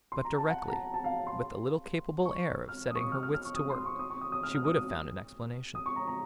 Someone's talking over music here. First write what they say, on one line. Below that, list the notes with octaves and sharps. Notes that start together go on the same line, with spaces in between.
But directly, with a little capable air of setting her wits to work, she would have found an explanation.
C6
A#5
A5
F#5
A#5
A5
A5
F5
C6
C#6
F6
D#6
C#6
D#6
F6
F6
F6
C#6
D#6
C6
C#6
D#6
C#6
D#6
D#6
F6
F6
D#6
D#6
D#6
C#6
A#5
A#5